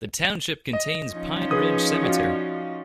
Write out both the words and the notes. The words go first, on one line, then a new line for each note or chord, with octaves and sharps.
The township contains Pine Ridge Cemetery.
D#5
F3 C#4 D#4
G#4 B4 D#6
F#4 D5 F5